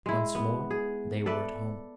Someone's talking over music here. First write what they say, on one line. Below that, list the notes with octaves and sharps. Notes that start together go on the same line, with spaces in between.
Once more they were at home.
G#3 E4
B3
G#4
A4 B4 D5 E5